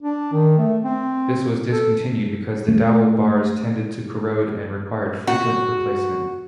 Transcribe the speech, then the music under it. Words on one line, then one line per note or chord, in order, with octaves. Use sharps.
This was discontinued because the dowel bars tended to corrode and required frequent replacement.
D4
D#3
A3
C4
A4
A3
F#4